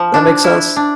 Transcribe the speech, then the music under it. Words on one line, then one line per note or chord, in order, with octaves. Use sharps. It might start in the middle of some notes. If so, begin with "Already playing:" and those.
that makes sense?
Already playing: F3
D4
E4
D4